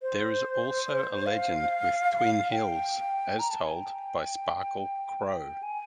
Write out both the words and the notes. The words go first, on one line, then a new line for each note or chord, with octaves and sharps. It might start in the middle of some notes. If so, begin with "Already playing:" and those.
There is also a legend with Twin Hills as told by Sparkle Crowe.
C5
F5
G5
A#5
A5
G#5
G5
G#5